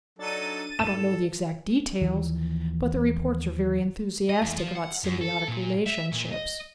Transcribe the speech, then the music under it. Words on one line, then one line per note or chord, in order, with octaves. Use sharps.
I don't know the exact details, but the reports are very enthusiastic about symbiotic relationships.
F#3 D4 D#4 A4 A6 D#7
G#2 A4 E7
D#2 E3 F3
D#5
E2
F3
F#5
F#2
A4
A#2
E5
A#2
D#5